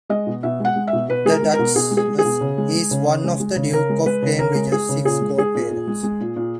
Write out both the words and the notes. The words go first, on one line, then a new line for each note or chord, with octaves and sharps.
The Duchess is one of the Duke of Cambridge's six godparents.
G#3 D#5
B2
B2 E5
G#3 F#5
G#3
E5
B2
B2 B4
G#3 G#4
A#4
G#3
A#4
B2
B2 G#4
G#3
G#4
G#3
G#4
B2
C#3
G#3
G#3
C#3
C#3
G#3
G#3
C#3
C#3 A#4
G#3
G#3 B4
C#3
C#3 A#4
G#3
G#3 G#4
C#3
A#2 G#4
G#3
G#3 G#4
A#2
A#2
G#3
G#3
A#2
A#2